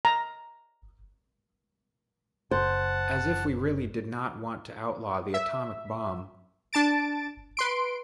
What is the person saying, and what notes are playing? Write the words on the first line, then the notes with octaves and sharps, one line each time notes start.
As if we really did not want to outlaw the atomic bomb!
A#5
F#1 C5 F#5 A5
E5
D4 A5 A6 D7
B4 C6 D7